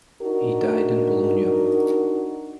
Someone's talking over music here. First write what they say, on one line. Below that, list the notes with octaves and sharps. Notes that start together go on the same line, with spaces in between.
He died in Bologna.
D4 D#4 F#4 A#4